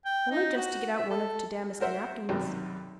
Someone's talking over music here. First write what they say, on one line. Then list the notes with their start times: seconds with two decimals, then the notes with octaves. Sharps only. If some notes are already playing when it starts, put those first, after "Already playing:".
'Only just to get out one of t' damask napkins.'
0.05 G5
0.31 D#4
0.57 F#4
0.96 E5
1.11 A4
1.80 F#4 A#4 C5 E5 F#5
2.29 B1 F#2 C3 D#3 F#3 G3